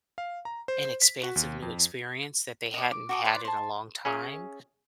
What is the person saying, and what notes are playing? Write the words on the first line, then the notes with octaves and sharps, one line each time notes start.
an expansive new experience that they hadn't had in a long time.
F5
A#5
C5
B6
F#4
D#2
F2
D5 D#5
D6
F#4 D6 D#6
B4 C5 D5
C5 A5
C#4 G#4 C#5 E5